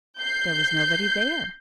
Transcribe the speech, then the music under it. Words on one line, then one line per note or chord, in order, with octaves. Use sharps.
There was nobody there.
G6 C7